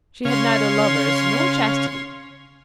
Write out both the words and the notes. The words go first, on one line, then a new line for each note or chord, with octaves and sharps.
She had neither lovers nor chastity.
C#3 C#4 C#5 F5 C6